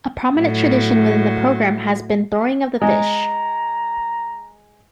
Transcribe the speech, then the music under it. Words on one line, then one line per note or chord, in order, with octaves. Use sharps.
A prominent tradition within the program has been the throwing of the fish.
A2 F#3
G#3 A#5